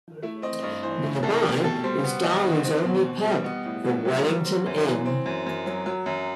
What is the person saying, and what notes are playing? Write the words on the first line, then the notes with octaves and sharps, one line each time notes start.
Nearby is Darley's only pub, the Wellington Inn.
A3 E4
C4 D#5
G2 D#5
E3 C5
A3
C2 A4
C2 G4
B2 A4
G3 C5
B3
D#2 D#5
D#3
C4
B2
B2
G3
B3 D#5
A2
A2
F#3
G3
C4
F#2
E3
C4
F#2
F#2
F#3
F#3
F#2